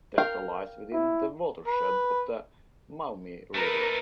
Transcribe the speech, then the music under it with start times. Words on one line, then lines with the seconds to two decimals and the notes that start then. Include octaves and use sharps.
Delta lies within the watershed of the Maumee River.
0.18 A#4 F5 G5
0.93 E4
1.67 B4
3.55 A3 D#4 A#4 B4